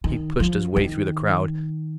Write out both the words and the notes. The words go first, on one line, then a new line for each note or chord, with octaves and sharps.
He pushed his way through the crowd.
D#3
F3
D#3